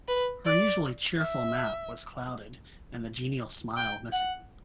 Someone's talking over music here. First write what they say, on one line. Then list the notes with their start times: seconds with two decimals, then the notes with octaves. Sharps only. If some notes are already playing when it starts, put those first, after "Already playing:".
Her usually cheerful map was clouded, and the genial smile missing.
0.08 B4
0.45 D5
1.19 E5
3.76 G5
4.12 F#5